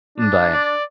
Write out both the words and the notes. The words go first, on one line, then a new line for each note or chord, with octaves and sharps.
Mm bye.
D4
D5